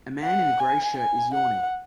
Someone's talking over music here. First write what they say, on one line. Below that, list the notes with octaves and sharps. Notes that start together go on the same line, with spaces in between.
A man in a gray shirt is yawning.
F#5
G#5
G#5
F#5